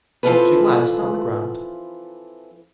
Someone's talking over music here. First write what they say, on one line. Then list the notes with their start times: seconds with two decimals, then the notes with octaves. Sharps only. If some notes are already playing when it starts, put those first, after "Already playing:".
She glanced on the ground.
0.23 E3 F3 C4 F4 A4 B4